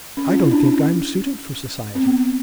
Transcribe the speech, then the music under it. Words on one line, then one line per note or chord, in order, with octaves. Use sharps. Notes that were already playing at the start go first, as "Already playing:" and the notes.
'I don't think I'm suited for society.'
C#4
F4
E4
D4
C#4
C4
B3